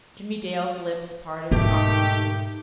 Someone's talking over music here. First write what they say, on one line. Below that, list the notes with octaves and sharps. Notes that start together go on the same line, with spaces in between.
Jimmie Dale's lips parted ominously.
G#2 B2 D#3 A3 D#4 G4